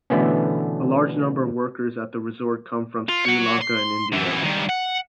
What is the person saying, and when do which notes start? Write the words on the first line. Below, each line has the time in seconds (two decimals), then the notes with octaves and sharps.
A large number of workers at the resort come from Sri Lanka and India.
0.10 B2 D3 E3 A3 B3 C#4
3.09 F4
3.25 C#5 F#5
3.62 C6
4.13 F#2 E3
4.44 G2 D#3
4.69 F#5